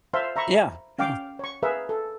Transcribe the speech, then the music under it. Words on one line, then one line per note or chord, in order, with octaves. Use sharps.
Yeah. Yeah.
C5 E5 F5 A5 C6
E5 A#5 B5 C#6
C#4 F5 G5 D6
C#5 C#6
G#4 A#4 B4 E5 F5
A4